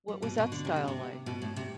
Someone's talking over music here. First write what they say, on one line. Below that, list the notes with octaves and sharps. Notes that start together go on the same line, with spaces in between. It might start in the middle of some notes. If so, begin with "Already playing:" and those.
what was that style like?
G3
B2
B2
D3
C3
B2
C3
B2
A2
C3